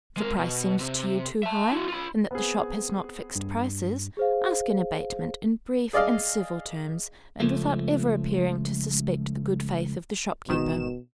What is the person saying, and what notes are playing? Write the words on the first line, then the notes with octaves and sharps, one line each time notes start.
If the price seems to you too high, and that the shop has not fixed prices, ask an abatement in brief and civil terms, and without ever appearing to suspect the good faith of the shopkeeper.
G#3 A#4
B2
C3
E5 A5
E4 F#4
F4 B5
B3 C4 G#4
G2
G#4 C5 F5
G#4 D5 D#5 F5
C#2 F3 A3
G#1 B2 D#3 E7